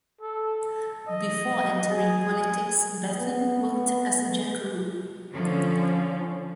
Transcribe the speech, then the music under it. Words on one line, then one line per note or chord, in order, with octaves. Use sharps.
Before entering politics, Bethune worked as a jackaroo.
A4
D#5
G#4
B3
D3 F3 C#4